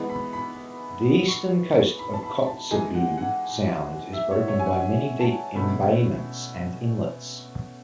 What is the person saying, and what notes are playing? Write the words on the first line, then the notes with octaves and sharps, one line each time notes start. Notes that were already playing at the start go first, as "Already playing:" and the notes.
The eastern coast of Kotzebue Sound is broken by many deep embayments and inlets.
Already playing: E3 G#3 B3
B5
B5
C#6
B5
A5
B5
A5
E3 G#3 D#4 G#5
F#5
F#5
E5
C#5
C#5
G#5
F#5
A5
B2 A3 C#4 B5